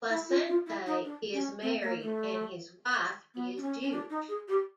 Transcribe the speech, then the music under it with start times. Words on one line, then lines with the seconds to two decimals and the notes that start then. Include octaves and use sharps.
Placente is married and his wife is Jewish.
0.10 E4
0.28 F4
0.48 F4
0.66 E4
0.87 D#4
1.04 D4
1.33 C#4
1.62 C4
1.82 A#3
2.00 A3
3.34 B3
3.58 D4
3.62 C#4
3.83 C#4
3.91 D4
4.10 D#4
4.29 G#4
4.48 G4